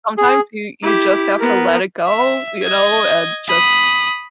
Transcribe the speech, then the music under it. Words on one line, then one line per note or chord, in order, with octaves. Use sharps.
sometimes you you just have to let it go, you know, and just
G#4
E4 G4
B3 A#4
E5
D#5 G#6
B5 D#6